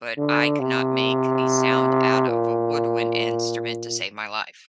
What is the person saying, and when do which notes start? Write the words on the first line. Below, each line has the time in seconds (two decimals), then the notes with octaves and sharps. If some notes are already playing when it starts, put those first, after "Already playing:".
but I could not make a sound out of a woodwind instrument to save my life.
0.18 D3
0.60 C3
2.28 A#2